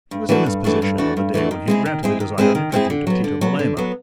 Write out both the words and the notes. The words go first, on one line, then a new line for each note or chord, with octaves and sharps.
He was in this position on the day when he had granted the desired interview to Tito Melema.
G2
E3 A3 D4 F#4
G2
E3 A3 D4 F#4
G2
E3 A3 D4 F#4
G2
E3 A3 D4 F#4
D#3
G#3 C4 E4 G#4
D#3
G#3 C4 E4 G#4
D#3
G#3 C4 E4 G#4
D#3
G#3 C4 E4 G#4
D3
F#3 B3
D3
F#3 B3
D3
F#3 B3